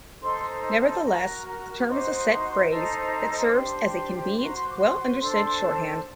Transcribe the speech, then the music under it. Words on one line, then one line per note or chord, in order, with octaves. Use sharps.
Nevertheless, the term is a set phrase that serves as a convenient, well-understood shorthand.
D#4 A4 C5 C6
A#5
A5
F#4 A#4 A#5
A#5
D#4 F#4 C5 C6
D6
C6
D#4 A4 C5 A#5
D6
D4 G4 C5 C6
F#4 C5 C6
A#5
C6
D6
C6
D4 A4 C5 C6
A5